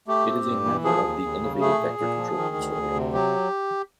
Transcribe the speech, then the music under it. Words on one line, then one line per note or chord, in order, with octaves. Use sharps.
It is a member of the Innovative Vector Control Consortium.
A3 G4
C4
G2
E3
F3 G#4
D#2
D#2
C#3
A3 G#4
A#2
A#2
F3
D#3
D2
D2
C3
F#3 G4